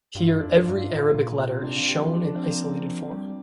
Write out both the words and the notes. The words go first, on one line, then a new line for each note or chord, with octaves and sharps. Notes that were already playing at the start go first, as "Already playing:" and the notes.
Here every Arabic letter is shown in isolated form.
G2 F4
E4
F2 D4
G2 F4
F4
A2 E4
F4
A#2 F4
A#3
A#3
C4
C3 D4
E3 F4
G4
F3 F4
D4
D4
C4
A#3
G3